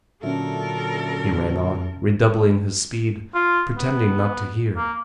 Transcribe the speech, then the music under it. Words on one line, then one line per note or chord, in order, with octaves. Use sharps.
He ran on, redoubling his speed, pretending not to hear.
A#2 D3 F#3 C#4 A4 A#4 E5
F4
B3
A#3